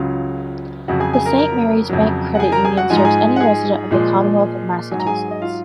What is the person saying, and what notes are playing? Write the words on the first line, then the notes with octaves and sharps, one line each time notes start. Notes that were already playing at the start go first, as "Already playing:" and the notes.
The Saint Mary's Bank Credit Union serves any resident of the Commonwealth of Massachusetts.
Already playing: C#2 C#3 F#3 F4 F5
F2 C#3 F#3 F#4 F#5
G#4 G#5
G#4 G#5
A#4 A#5
A#4 A#5
F2 C#3 F#3
F#5
G#4 G#5
A#4 A#5
G#4 G#5
F#4 F#5
G#2 F3 G#3 G#5
A#5
G#4 G#5
F#5
G#4 G#5
A#2 F3 G#3
G#2 F#3 G#5
A#5
G#4 G#5
D#5
F4 F5